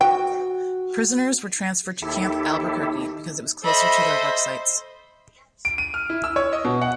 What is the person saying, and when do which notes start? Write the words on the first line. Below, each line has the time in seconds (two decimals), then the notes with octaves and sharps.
Prisoners were transferred to Camp Albuquerque because it was closer to their work sites.
0.01 F#4 G5
2.02 D#2 D#4 E4 G4 A4
3.64 A4 C5 D#5 E5 B5
5.65 D7
5.78 D#7
5.94 F6
6.09 E4
6.24 E6
6.36 C#5
6.53 D#5
6.64 B2
6.82 F#5